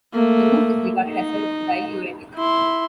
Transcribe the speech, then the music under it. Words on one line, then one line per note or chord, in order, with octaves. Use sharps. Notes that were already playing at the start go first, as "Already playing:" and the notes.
The root is regarded as a diuretic.
A3 A#3
D#4
E4 C6